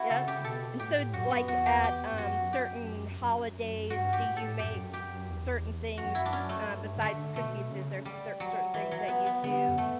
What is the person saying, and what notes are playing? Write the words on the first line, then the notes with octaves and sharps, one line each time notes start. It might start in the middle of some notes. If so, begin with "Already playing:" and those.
yup, and so, like, at, um, certain holidays, do you make certain things, uh, besides cookies? Is there cer certain things that you do
Already playing: E4 F#4
C#3 A4
G4
B2 A4
A2 G4
F#2 F#4
B3
E2 F#4
G4
G4
G2
F#2 F#4
G4
F#2
G2 F#4
G4
A2
A4
F#2 G4
G4
E2
F#2 F#4
E4
D4
C#4
A3
G2
C#3
D3 A3
B2 A3
C#3
G3
F#3
E3
F#3
B3
B3
D3 B3
F#2
A3